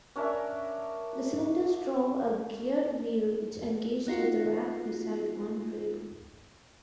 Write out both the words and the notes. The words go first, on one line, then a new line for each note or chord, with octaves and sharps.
The cylinders drove a geared wheel which engaged with the rack beside one rail.
C#4 D4 A#4 E5
B3 D#4 F4 F#4